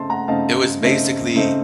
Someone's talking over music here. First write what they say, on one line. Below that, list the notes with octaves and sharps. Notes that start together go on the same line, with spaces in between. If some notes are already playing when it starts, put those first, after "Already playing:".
it was basically
Already playing: C#3 A3 C4 D#4 A5 C6
F#5 A#5
C#3 A3 C4 D#4 F5 A5
C#3 A3 C4 D#4
C#3 A3 C4 D#4